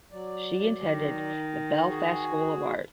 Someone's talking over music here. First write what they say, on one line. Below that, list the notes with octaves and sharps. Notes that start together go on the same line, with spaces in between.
She attended the Belfast School of Art.
F#3 D5
D#3
F#4 G#4